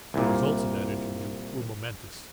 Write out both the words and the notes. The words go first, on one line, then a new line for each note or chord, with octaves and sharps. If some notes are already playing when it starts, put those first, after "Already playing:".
The results of that interview were momentous.
C2 A#2